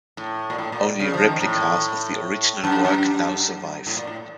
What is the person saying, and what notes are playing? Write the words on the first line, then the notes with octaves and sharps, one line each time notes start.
Only replicas of the original work now survive.
A2
A#2
A2
A#2
C#3
F3
D#3
A2
F#2
F#2
A2
A#2
A2